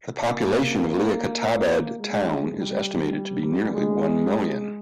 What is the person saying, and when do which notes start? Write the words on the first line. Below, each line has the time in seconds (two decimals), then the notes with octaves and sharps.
The population of Liaquatabad Town is estimated to be nearly one million.
0.24 A#3
1.99 G#3
2.58 G3
3.75 G#3